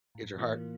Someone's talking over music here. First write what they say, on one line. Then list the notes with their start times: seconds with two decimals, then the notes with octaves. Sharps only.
Get your heart
0.15 A2
0.38 E3 A#3 F4